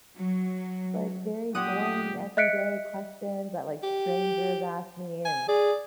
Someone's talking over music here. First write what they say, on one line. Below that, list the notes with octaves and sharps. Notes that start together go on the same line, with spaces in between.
like, very boring everyday questions that, like, strangers ask me," and
F#3
F#2 A#2 G4 F#5 D#6 F#6 D#7
D#5 E5 F#6 B6 C#7 D7
G4
G#5
G#4 D5